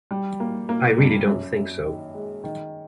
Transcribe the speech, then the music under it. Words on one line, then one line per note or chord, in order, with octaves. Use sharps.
I really don't think so.
G3
A#3
A#3
G2
F#2
F#2
D#3
G#3
D#3